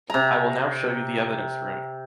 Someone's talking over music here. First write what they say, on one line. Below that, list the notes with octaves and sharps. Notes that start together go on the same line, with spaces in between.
I will now show you the evidence room.
C3 A#5